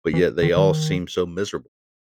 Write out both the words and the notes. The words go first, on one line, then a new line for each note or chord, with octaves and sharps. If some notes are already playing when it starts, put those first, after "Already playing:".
but yet they all seem so miserable.
E3
D#3
D#3